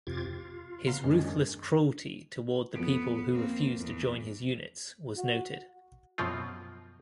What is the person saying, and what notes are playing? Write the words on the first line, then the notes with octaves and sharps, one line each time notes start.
His ruthless cruelty toward the people who refused to join his units was noted.
F2 C3 F4 G4 G#6 A6
F4
C#3 B3 F5 A#5 C6 F6
F#2 D#3 G#3 C#4 D4
F2 B3 A4 D7
A#3 C4
E2
F#4
F#2 B2 F3 C4 F4